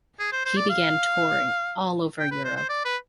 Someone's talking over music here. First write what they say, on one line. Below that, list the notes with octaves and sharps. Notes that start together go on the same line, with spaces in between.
He began touring all over Europe.
G#4
C5
C5
D5
F5
G5
B4
C5
C5
D5
B4